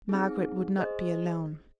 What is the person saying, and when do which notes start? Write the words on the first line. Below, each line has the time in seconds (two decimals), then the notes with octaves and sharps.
Margaret would not be alone.
0.09 C4 D#4 G#4
0.77 G#4 C5 D#5